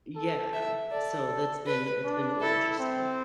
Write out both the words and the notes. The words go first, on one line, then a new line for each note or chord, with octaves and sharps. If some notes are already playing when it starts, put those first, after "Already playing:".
Yeah. So that's been it's been really interesting.
A4
E5
A4 D5
B4
D4
E4 A4
C4